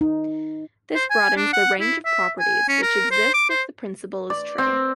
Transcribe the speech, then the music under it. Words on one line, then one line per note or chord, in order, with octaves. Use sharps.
This broadens the range of properties which exist if the principle is true.
D#4
C5
G#5
D4
F#5
E4
E5
G#5
C#4
A#4
C5
D6
C5
D5
C4